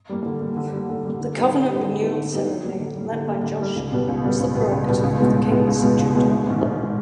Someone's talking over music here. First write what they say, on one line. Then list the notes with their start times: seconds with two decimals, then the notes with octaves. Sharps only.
The covenant-renewal ceremony led by Joshua was the prerogative of the kings of Judah.
0.09 G3 A#3
0.26 D3
0.41 G3 A#3
0.57 D3
0.73 G3 A#3
0.89 D3
1.05 G3 A#3
1.21 D3
1.37 G3 B3 D#4 G4
1.52 D3
1.69 G3 B3 D#4 G4
1.84 D3
2.00 G3 B3 D#4 G4
2.16 D3
2.33 G3 B3 D#4 G4
2.48 D3
2.64 G3 A#3
2.80 D3
2.96 G3 A#3
3.12 D3
3.28 G3 A#3
3.44 D3
3.60 G3 A#3
3.76 C#2
3.92 B2 G3 B3
4.08 C#2
4.24 B2 G3 B3
4.39 C#2
4.55 B2 G3 B3
4.71 C#2
4.87 B2 G3 B3
5.03 C#2
5.19 B2 G#3 B3
5.36 C#2
5.51 B2 G#3 B3
5.67 C#2
5.82 B2 G#3 B3
5.98 C#2
6.15 B2 G#3 B3
6.31 A#1
6.47 G#2 D#3
6.63 A#1
6.81 D#3